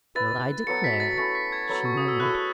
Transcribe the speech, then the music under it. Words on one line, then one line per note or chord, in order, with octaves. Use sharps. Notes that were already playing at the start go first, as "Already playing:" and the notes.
'Well, I declare,' she murmured.
E4 B4 E5 A6
F#3 B3 F#4 A4 C#7
B6
A6
A3 C#4 E4 A6
B6
G#6
F#3 B3 F#4 A4
C#6
D#6
E6
A3 E4 G#4 F#6